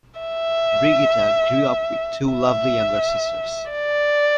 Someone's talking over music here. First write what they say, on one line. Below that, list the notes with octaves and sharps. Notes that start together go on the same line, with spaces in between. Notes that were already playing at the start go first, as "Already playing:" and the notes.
Brigitta grew up with two lovely younger sisters.
E5
E5
D5